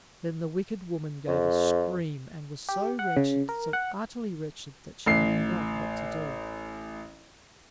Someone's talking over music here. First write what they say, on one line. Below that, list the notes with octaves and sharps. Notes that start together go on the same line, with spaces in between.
Then the wicked woman gave a scream, and was so wretched, so utterly wretched, that she knew not what to do.
F2
G4
F#5
C#3
A#4
F#5
A1 C7